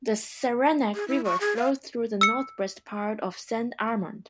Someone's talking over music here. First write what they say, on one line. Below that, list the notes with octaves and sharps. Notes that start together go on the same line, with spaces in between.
The Saranac River flows through the northwest part of Saint Armand.
G#4
E4
C#6
G#4
F5
E6 C#7